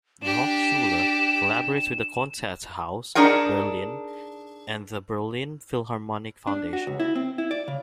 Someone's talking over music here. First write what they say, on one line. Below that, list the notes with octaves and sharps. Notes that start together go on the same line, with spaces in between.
The Hochschule collaborates with the Konzerthaus Berlin and the Berlin Philharmonic Foundation.
D4 G4 E7
D4 D#4 G#4 A#4 F#5
D4
F#4
C#2
E4
C4
E4
D5
C#3